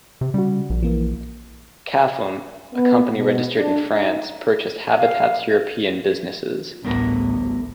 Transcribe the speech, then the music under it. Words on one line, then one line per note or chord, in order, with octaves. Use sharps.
Cafom, a company registered in France, purchased Habitat's European businesses.
C3
C#3 G3 F#4
A#1
E3 A#3
B3
B2
D4
D#4
F5
A1 D2 A2 G3 B3 A#4